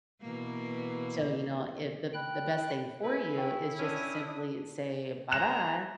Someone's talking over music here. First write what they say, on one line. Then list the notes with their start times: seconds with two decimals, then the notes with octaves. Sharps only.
So, you know, if the the best thing for you is just to simply say, "Bye-bye."
0.21 B2 E3 A#3
2.14 G5 B5 F#6
3.03 E4 G#4 B4
3.37 F5 G5 C#6
3.79 C#4 D4 D#6
5.31 G#3 G#5 A#5 F#6 E7